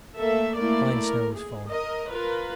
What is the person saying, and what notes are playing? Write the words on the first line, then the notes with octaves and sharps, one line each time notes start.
Fine snow was falling.
A3 A#3 A4 E5
A3 A#3 E4 A#4 D5
A#4
G#4
A#4 D#5
F4 A#4 B4